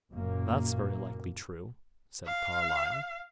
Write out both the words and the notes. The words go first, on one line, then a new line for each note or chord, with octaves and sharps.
"That's very likely true," said Carlyle.
F#1 F#2 A#2 A#3
F5